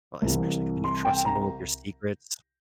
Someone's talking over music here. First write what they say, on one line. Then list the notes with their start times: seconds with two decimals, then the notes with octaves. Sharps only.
well, especially when you trust someone with your secrets.
0.22 C2 C3 E3
0.84 C6
1.05 G5
1.25 A#5